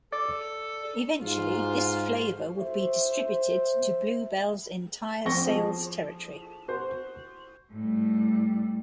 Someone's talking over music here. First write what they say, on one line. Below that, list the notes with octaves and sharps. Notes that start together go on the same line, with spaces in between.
Eventually, this flavor would be distributed to Blue Bell's entire sales territory.
A4 D5
G#2 F4
C5 E5
A#1 C4 C#6 A#6 G7
F3 G#4
F#4 C5
A2 G3